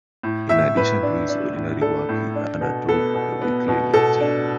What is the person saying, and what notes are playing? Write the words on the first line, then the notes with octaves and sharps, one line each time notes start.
In addition to his ordinary work he undertook the weekly lecture.
A2
A2 E5
A2 B4
D4
D4
A2
D4 A4
A2
D4
B2
B3 A4
B2
B3
B2
B2 A4
D4